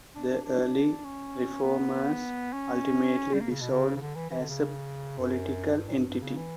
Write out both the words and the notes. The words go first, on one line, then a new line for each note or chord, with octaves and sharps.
The early reformers ultimately dissolved as a political entity.
D4
D4
D4
C#4
B3
C#4
G3
A#3
C#3
B2
C#3
C#3
D3
E3
E3
D3
C#3
F#2
G2
A#2
G2
G2
C#3
E3